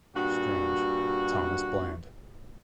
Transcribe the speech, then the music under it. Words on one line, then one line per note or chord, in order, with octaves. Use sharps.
Strange, Thomas Bland.
G2 A#2 F#4